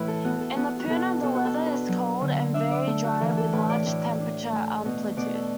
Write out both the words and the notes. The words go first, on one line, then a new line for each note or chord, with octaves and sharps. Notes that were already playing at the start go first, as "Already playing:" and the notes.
In the Puna the weather is cold and very dry with large temperature amplitude.
Already playing: A2 E3 E4 B4
A4
B3 F#4
A4
B3 F#4
F#4
B2 A4
B2 A4
F#4
A4
D4
B4
F#3
D3
D4 E5
D5
A3 A4
F#4
E3 A4
A4
A2 B4
D5
A2
D4
A3
B2
B2 D5
A4